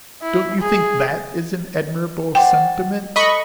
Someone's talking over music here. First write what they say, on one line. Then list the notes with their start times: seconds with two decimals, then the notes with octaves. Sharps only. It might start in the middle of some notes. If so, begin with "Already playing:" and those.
"Don't you think that is an admirable sentiment?"
0.23 E4
0.61 G#4
2.35 F#4 C5 D5 G5
3.16 A4 B4 D#5 B5 C#6